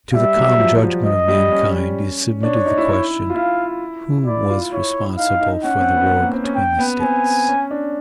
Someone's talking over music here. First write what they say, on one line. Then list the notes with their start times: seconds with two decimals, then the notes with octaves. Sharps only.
To the calm judgment of mankind is submitted the question, Who was responsible for the war between the States?
0.14 G3 E5
0.36 F#3
0.60 F3
0.82 F3
1.05 D#5
1.28 G3
1.52 C#4
2.43 D4 C#5
2.55 D4
2.66 D#4
2.78 E4
2.89 E4
3.30 F4
3.35 E4 F5
4.26 E4 D5
4.50 F4
4.72 E4 C#5
5.18 D#4 F5
5.41 D#4
5.64 C#4 F#5
5.80 C4
5.94 B3
6.10 C4
6.21 A#3
6.33 C4
6.44 C#4
6.56 G5
6.79 B3
7.02 C4 G#5
7.48 C#4
7.71 D4